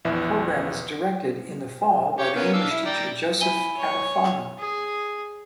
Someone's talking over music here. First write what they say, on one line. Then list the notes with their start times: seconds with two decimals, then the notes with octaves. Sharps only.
The program is directed in the fall by the English teacher Joseph Catalfano.
0.05 A#1 E2 E4 B4
2.19 G4 C#5
2.35 A#3 B3 C#4
2.53 D4 F5 E6
2.70 E4
2.85 D5 G5 A#5
3.41 E4 G#5 D#7 G7
3.77 C#5 C#6
4.59 G#4